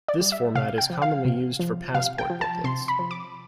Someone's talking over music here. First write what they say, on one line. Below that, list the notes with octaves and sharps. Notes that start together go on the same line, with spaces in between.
This format is commonly used for passport booklets.
D5
G3
E5
C3 F5
G5
F3
F5
C3
F3
C3 F5
G5
F3
A5
C3 C6
B5
F3
D6